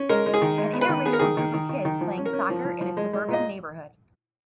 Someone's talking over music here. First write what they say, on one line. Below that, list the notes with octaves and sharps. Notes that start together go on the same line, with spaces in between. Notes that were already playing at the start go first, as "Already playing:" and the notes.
An inter racial group of kids playing soccer in a suburban neighborhood.
Already playing: C#4
G#3 A#4
G#3
G#4
D#3
G#3
B3
B4
D#3
B3 G#4
A#4
D#3 G#4
D#3
D#3
D#3
D#3
F3
C#4
A#4
C#4
F3
F3
F3
G#3
G#3
A#2 D#5